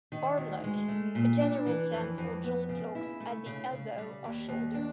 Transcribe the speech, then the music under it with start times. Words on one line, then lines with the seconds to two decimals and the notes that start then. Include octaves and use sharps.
Armlock: A general term for joint locks at the elbow or shoulder.
0.12 D#3
0.37 D2
0.64 G#3
0.88 A3
1.15 A#2
1.41 D4
1.67 E3
1.91 F2
2.18 F2
2.44 B3
2.69 C#3
2.95 E4
3.20 A3
3.46 C#3
3.72 C#3
3.98 G3
4.24 D#2
4.48 D#2
4.74 D4